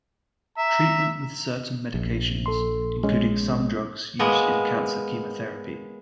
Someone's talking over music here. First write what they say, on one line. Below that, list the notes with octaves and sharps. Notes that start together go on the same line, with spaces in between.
Treatment with certain medications, including some drugs used in cancer chemotherapy.
E5 A#5
A#1
A4 C6
G#3 C#4
G#3 A#3 B3